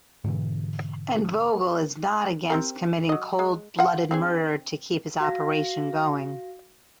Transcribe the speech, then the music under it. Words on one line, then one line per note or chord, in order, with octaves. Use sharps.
And Vogel is not against committing cold-blooded murder to keep his operation going.
G#2 B2 D3 E3
C4 G4 A#4
F#3 D#5
G#3
F4 F#5
C4 D4 G#4
F#4 F5 A#6